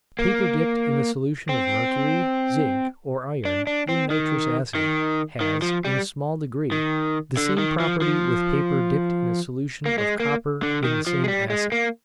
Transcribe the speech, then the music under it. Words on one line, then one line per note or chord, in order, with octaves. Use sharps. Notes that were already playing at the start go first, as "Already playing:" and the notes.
Paper dipped in a solution of mercury, zinc, or iron, in nitrous acid, has, in a small degree, the same property with paper dipped in a solution of copper in the same acid.
A#3
C4
D4
D4
C4
D#3
D#3
D#3
F3
G3
D#3
D3
D#3
F3
F3
A#3
G#3
A#3
D3
D#3
F3
G#3
G3
G#3
A#3